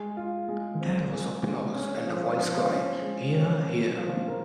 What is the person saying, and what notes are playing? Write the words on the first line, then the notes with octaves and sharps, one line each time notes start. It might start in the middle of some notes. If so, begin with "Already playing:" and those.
There was applause, and a voice cried: "Hear, hear!"
Already playing: G#3
F4
G#3
C4
G#3
G#3
C#4
F3
F3
C#4
G#3
C#4
A#4
F3
A#4